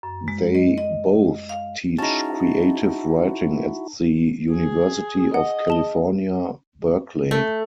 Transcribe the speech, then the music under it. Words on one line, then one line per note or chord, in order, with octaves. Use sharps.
They both teach creative writing at the University of California, Berkeley.
F#2
G#3
D#5
D#5
F5
G#3 C#4 D#4 E4 F#4 A5 A#5
G#4
D#5 F#5
G#4 A5 G7
A3